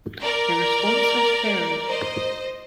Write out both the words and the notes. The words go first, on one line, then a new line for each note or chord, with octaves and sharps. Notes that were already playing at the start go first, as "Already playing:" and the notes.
Their responses vary.
A#4 D5
C5 D#5